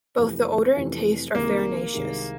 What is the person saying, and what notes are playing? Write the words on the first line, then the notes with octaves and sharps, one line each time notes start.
Both the odor and taste are farinaceous.
F2 C3 E3 A3 C4
F2 C3 E3 A3 C4
C2 C3 D#3 G#3 A#3
C2 C3 D#3 G#3